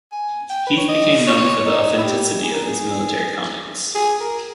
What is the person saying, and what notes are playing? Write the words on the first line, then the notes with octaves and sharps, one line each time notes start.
Heath became known for the authenticity of his military comics.
G#5
G5
B4
C#5
D#5
C#5
D#4
E4
G4
G#4
A#4
G#4
G#4
A#4